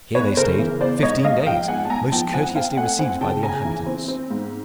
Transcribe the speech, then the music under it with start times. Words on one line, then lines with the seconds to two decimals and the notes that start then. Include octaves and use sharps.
Here they stayed fifteen days, most courteously received by the inhabitants.
0.15 E2 B4 C#5
0.37 C#3 A#4 C5
0.59 E3
0.81 E2 C5 D5
1.02 G#2 C#5 D#5
1.24 G#2 D#5 F5
1.46 F3 F5 G5
1.68 G#2 F#5 G#5
1.85 A5
1.90 G#2 G#5 A#5
2.12 F3 G5 A5
2.33 C4 F#5 G#5
2.50 G#5
2.55 C4 F5 G5
2.77 A3 F#5 G#5
2.99 C4 F#5 G#5
3.21 C#3 G5 A5
3.43 C#3 G#5 A#5
3.65 E3
3.86 C4
4.08 C4
4.30 G#2